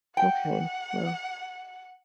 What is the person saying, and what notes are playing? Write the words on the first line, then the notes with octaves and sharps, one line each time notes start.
Okay, well
F#5 G5